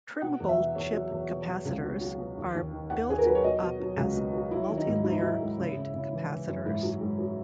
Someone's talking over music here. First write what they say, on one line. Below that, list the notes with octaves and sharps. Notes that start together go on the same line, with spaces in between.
Trimmable chip capacitors are built up as multilayer plate capacitors.
B2 F#5
E2
E5
B2
E2 C#5
F#3
E2
B2
B2
C#2
B2
F#3
B2
D#2
D#2
D#3
D#2 F#5
D#2 G#4
A#4
F#3 B4
C#5
B2 D#5
B2
F#3
C#2
B2
F#3
F#3 E4
D#3
D#4
G#2
F#3 E4
D#4
F#3 E4
G#2
C#3
C#3
C#3
E3
E3
F#2
G#2 E4
F#3
G#2
F#3